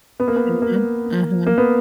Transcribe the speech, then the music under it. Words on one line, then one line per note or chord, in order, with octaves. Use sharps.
Mhm. Mhm.
B3
A#3
B3
A#3
A#3
B3